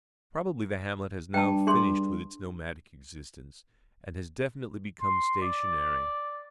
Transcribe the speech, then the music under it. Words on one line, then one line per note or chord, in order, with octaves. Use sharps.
Probably the hamlet has now finished with its nomadic existence, and has definitely become stationary.
G2 G5 A5
D4 G#4 C6
C6
D5